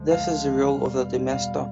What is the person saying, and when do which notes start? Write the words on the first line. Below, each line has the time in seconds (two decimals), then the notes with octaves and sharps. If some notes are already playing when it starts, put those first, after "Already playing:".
This is the role of the demister.
Already playing: D2 D3 F3 G#3
0.11 F5
0.71 E2 B2 G3
1.31 F5